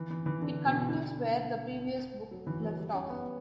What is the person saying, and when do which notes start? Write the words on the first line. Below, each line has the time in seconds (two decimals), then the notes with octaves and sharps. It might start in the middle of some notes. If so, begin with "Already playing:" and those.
It continues where the previous book left off.
Already playing: E3
0.10 E3
0.26 E3
0.42 D3
0.66 B2
0.81 B2
0.89 D3
2.31 F#3
2.47 E3
2.63 F#3
2.78 G3
2.94 C#4
3.10 B3